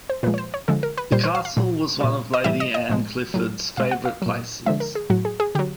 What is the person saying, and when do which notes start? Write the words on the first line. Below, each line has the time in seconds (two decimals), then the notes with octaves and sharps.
The castle was one of Lady Anne Clifford's favourite places.
0.10 C5
0.23 A#2 F3 G#3 B4
0.34 C#5
0.38 C5
0.54 C#5
0.68 D3 F3 G#3 A4
0.83 A#4
0.98 B4
1.12 A#2 G3 C5
1.24 C5
1.35 F5
1.45 F5
1.57 A#2 F#3
2.00 A#2 G3
2.34 D#5
2.44 A2 E3 G3 E5
2.60 D#5
2.74 D#5
2.90 A2 F3 G#3
3.34 A2 F#3
3.77 B2 G#3 F5
3.91 F#5
4.05 F5
4.22 A#2 F#3
4.66 D3 F3 G#3 E5
4.80 A#4
4.95 G#4
5.10 A2 F#3 F#4
5.25 G#4
5.40 G#4
5.55 D3 F#3 G4